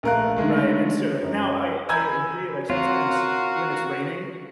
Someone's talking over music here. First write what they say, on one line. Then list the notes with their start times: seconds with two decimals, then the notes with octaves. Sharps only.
Right, and so now, I I agree, like, sometimes when it's raining,
0.03 A#1 A3 A#4 F5 F#6
0.37 D3 D#3 G#3 A3
1.22 F#2
1.89 G#5 A#5 B5 E6 G6 G#6
2.70 C4 F4 F#4 A#4 C#5 F5 F#5